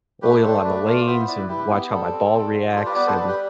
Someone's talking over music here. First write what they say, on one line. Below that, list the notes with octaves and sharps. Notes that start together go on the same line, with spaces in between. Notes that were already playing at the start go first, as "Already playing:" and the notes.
oil on the lanes, and watch how my ball reacts and
A3 G4 B4
D4 A4 C5
A3 B4 D5
F4 D5 F5
B3 C5 E5
E4 B4 D5
E4 G4 B4
B3 G4
G3 A4
C4
G3
F4
G3 A4 C5
B4 D5
B3 B4 D5
A4 C5
G3 B4 D5
G4 B4